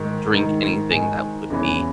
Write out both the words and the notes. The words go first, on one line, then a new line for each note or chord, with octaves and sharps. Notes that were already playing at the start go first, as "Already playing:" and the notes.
drink anything that would be
Already playing: G#2 D#3
G#2 D#3
G#2 D#3 G#5
E2 C#3 E3